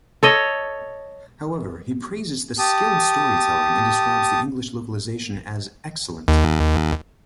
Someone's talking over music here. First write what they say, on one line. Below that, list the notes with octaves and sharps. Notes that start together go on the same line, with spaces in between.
However, he praises the "skilled storytelling" and describes the English localisation as "excellent".
A4 C#5 D#5
G4 A5 D#6
D#2